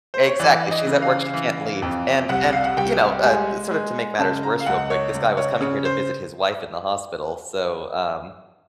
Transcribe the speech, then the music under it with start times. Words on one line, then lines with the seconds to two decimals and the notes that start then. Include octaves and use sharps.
Exactly, she's at work, she can't leave, and and, you know, uh, sorta to make matters worse real quick, this guy was coming here to visit his wife in the hospital, so, um,
0.14 C5
0.26 C#5
0.39 E3 D5
0.71 D#5
0.87 C#3
1.02 F5
1.34 E3
1.82 F2
2.29 C2 F#5
2.53 F5
2.65 F#5
2.77 C2 G5
3.23 G#3 G#5
3.71 G#3
4.19 C#3 A5
4.43 A#5
4.60 F5
4.66 C#2 F#5
4.90 C#5
5.14 C#2
5.37 C#5
5.61 C#3 C#5
5.85 C5